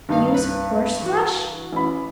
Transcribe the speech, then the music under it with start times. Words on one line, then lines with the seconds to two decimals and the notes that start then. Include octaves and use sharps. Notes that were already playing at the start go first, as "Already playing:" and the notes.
Use horseflesh?
0.09 G2 D#3 D#4 F5
0.34 C2 B4
1.02 E3 F#4
1.73 A1 B5